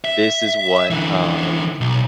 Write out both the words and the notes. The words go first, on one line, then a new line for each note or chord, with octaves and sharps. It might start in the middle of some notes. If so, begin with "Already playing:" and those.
"This is what" um,
E5
D3 E3
B1